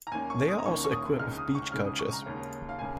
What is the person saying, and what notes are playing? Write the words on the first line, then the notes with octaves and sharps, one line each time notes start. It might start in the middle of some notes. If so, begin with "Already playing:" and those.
They are also equipped with beach couches.
A#5
D#2 D#3 A#3 C#4 G#5
C#6
D#6
A#5
D#2 D#3 A#3 C#4 C#6
C#6
D#6
C#2 C#3 G#3 D#4 F6
D#6
C#6
C#2 C#3 G#3 D#4 F6
D#6
C#6
A#5
D#2 C#3 A#3 C#4
F5
C#3 A#3 C#4 G#5